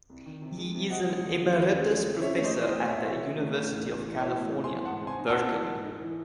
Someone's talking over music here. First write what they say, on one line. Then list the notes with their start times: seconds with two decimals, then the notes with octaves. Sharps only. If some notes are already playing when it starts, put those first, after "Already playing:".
He is an emeritus professor at the University of California, Berkeley.
0.09 C2
0.26 D#3
0.42 C3
0.58 G#3
0.75 C3
0.90 C4 D#5 F#5
1.08 G#3
1.24 D#2
1.40 C#3
1.56 D#2
1.73 C#3
1.90 G#3
2.07 C4
2.22 C#4 C#5 E5
2.37 A3 C#5
2.44 C5 D#5
2.55 E3
2.66 C5 D#5
2.72 A3
2.88 A2 C#5 E5
3.05 E3
3.21 E3
3.38 A3
3.54 A2
3.71 A1
3.87 A1
4.03 E3
4.20 E3 C#5 E5
4.36 A2
4.53 C4
4.64 G#5 C6
4.70 E3
4.85 G#2 F#5 A5
5.01 C4
5.07 G#5 C6
5.19 D#4
5.29 F#5 A5
5.35 C4
5.51 E3
5.68 G#2
5.84 D#4
6.01 E3